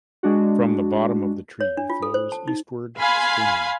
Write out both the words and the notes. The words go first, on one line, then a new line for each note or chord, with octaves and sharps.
From the bottom of the tree flows eastward stream.
G#3 D4 F#4
C#5
D4
F4
A4
C5
A5
D#4
F5 G#5 B5 C6